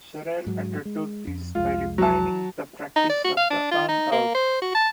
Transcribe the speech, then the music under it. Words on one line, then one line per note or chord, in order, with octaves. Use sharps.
Sorrell undertook this by refining the practice of the 'earn-out'.
G#2 F#3
G#3
F2
C2 F2 G#3 F4
F#3 A5
D#4
D5
F#4
F5
D4
F4
D#4
A#3
C5
F#4
A5